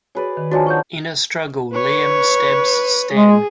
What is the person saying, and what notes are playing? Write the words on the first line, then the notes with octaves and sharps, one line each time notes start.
In a struggle, Liam stabs Stan.
F#4 G#4 B4 C#5 D5
D#3
F3 D4 D#4 F#4 C#5 G#5 A6
F4 C#5 F#5 C#6 G6
B4 C#5
G#3 G#4